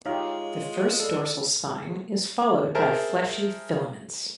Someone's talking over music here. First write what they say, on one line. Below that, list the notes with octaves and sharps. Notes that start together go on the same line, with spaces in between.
The first dorsal spine is followed by fleshy filaments.
G#3 D#4 F4 G4 C#5 F5
A4 D5
G#4 A#4 C5 E5 A5